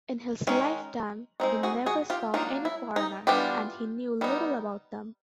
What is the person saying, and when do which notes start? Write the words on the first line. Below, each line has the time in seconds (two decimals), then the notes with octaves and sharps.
In his lifetime he never saw any foreigners and he knew little about them.
0.47 D#3 G#3 C#4
1.40 G#3 C4 D#4
1.63 F#4 G#4
1.86 F#4 G#4
2.10 F4 G4
2.34 F#3 A#3 D4 D#4 F4
2.65 E4
2.96 D#4
3.27 E3 G3 B3 D4 F4 G4
4.21 G3 B3 D#4